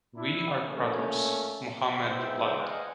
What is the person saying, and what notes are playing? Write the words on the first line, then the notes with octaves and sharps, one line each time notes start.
"We are brothers" Muhammad replied.
D4 E4
A#2 A3 A#3 C#4
G#2 B3 G#4 C5 E5 G5
B4 D5 D#5 F5 F#5 G#5